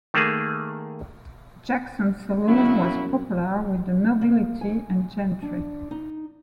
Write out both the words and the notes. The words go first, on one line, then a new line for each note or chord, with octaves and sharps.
Jackson's Saloon was popular with the nobility and gentry.
D#3 A3 A#3 G#4
F#2 C#3 F#3 E4
A#3
G#5
D4
D#4